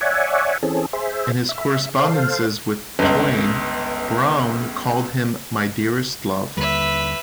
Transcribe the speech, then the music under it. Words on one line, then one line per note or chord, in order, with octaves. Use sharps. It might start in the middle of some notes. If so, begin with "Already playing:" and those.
In his correspondences with Twain, Browne called him My Dearest Love.
C#5 D5 E5 F#5 G#5
E3 C4 C#4 G#4 A4
G#4 C5 E5
E5
A4 C5 F5
G1 C#2
D#2 D3 G3 B4 E5